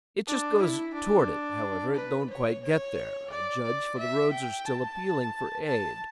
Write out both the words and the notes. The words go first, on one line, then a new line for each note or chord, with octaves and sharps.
It just goes toward it, however; it don't quite get there, I judge, for the roads are still appealing for aid.
D4
E4
D4
B4
C#5
C#5
D5
D5
E5
G5
A5
A5